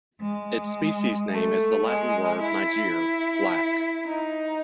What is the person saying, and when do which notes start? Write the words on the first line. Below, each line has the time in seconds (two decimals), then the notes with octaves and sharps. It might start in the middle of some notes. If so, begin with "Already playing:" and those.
Its species name is the Latin word "niger" "black".
0.21 G#3
1.30 A3
1.85 G#3
2.41 E4
2.95 E4
4.05 D#4